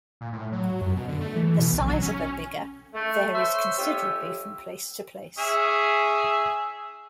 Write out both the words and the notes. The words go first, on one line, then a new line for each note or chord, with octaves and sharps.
The size of a "bigha" varies considerably from place to place.
A#2
A2
F#3
F#2
B2
D3
A3
E3
B2
B1
F#3
C#4
A3
C5 C#5 E5
F2 C#4 G4 E5
C#4 G#4 E5